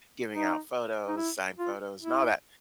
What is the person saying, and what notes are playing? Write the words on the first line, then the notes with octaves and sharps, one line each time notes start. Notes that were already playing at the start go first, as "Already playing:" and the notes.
giving out photos, signed photos and all that,
D#4
D#4
E4
F4
E4